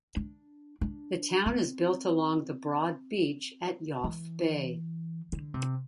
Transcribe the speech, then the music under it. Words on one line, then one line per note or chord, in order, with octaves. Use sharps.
The town is built along the broad beach at Yoff Bay.
D4
D4
C4
E3
D3
C3